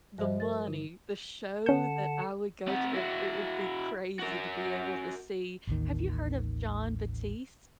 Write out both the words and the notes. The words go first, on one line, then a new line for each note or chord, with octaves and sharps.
the money, the show that I would go to it it would be crazy to be able to see. Have you heard of John Batiste?
G2 F3 G3 C5 D#5 E5
A#4 A6
D3 D#4
D3 C#4 F#5 A5 G6
C4 F#5
E4 F#4
F#4 A#4
A1 D#2 D#3